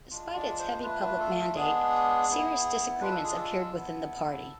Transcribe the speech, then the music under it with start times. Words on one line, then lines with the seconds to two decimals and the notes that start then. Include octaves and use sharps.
Despite its heavy public mandate, serious disagreements appeared within the party.
0.11 G#3 D4 F4
0.36 D5
0.59 C5
0.83 A3 D4 F4 B4
1.01 B4
1.20 A4
1.38 A4
1.56 G#3 B3 D4 G#4
2.29 B3 E4
3.01 G#3 D4 F4 B4
3.12 A4
3.24 G#4
3.36 A4
3.73 B3 E4